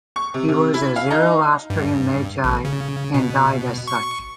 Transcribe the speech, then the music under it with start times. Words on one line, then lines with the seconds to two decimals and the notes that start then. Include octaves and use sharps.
He was a Zoroastrian Magi, and died as such.
0.16 C#6
0.34 C3
0.48 C3
0.74 E4
0.96 F5
1.10 D#4
1.70 G2
2.44 A1
2.65 C#3
3.14 B2
3.88 C#6